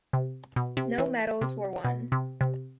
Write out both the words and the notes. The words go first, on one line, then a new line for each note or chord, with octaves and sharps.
No medals were won.
C3
B2
C3
E3
C3
B2
C3
C3